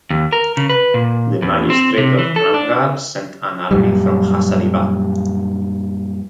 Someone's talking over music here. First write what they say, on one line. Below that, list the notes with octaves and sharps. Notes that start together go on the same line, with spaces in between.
Then magistrate of Ramgarh sent an army from Hazaribagh.
D#2
A#4
C#3
B4
A#2
E2
C4
C3
E3
A4
D4
F#2 A#2 F#3 G3